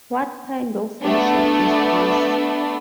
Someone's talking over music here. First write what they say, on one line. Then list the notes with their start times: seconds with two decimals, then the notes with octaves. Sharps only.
What kind of worship is this?
1.03 A3 B3 D4